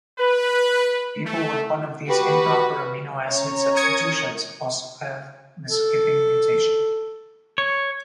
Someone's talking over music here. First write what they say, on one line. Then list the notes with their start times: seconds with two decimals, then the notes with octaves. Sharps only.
People with one of these improper amino acid substitutions also have the skipping mutation.
0.19 B4
1.25 A3
2.07 F#4 G4 B4
3.27 C#4 C#5 A#5
3.77 A#4 D#6 G#6 C#7
5.68 A4
7.58 C#5